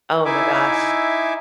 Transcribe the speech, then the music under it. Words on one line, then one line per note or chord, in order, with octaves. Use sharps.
Oh my gosh.
D#4 E4 E5 G#5 D6